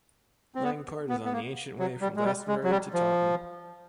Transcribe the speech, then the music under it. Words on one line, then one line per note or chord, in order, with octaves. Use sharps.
Langport is on the ancient way from Glastonbury to Taunton.
C4
B3
B3
B3
A#3
F#3
G3
G#3
G3
G#3
F#3
G3
F3